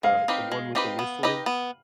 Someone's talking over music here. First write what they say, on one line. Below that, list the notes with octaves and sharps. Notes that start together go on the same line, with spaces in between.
The the one with the whistling?
G#3 F5
C4 D#4 G4 B4
G#3
C4 D#4 G4 B4
B3
D#4 G4 B4 D#5
B3